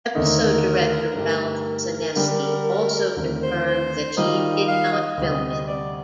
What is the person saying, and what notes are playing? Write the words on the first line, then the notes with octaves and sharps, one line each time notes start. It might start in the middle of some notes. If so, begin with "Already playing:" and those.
Episode director Ralph Senesky also confirmed that he did not film it.
D#2 D3 A3 D#4 A#4
G2 D3 A3 D#4 G4 A#4
D3 G3 D4 G4
D#2 D3 A3 C4 A#4
C5
C5
D#3 G3 A#3 F4 D#5
F5
D#5
D2 C3 G3
D5